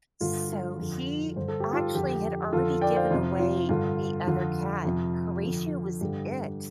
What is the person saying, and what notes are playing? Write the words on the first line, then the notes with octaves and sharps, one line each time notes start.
So, he actually had already given away the other cat, Horatio was it.
G2 D3 F4
F4
F2 D3
G2 D3 C5
A4
G4
F4 A4
F2 D3 G4
F2 D3 F4 A4
D5 G5
C5 F5
F2 C3 F4
F4
G2 D3 F4
F2 D3 F4
F2 C3
F2 D3
G2 D3 G4